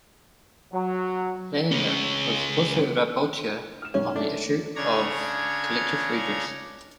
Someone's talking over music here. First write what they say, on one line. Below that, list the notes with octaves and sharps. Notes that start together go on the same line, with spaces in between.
Lehne was also rapporteur on the issue of "Collective Redress".
F#3
C#2 C#4
F6 E7
B1 F#2 C#4
A3 D4 A4
C#3 D4 C#5 A#5 G#6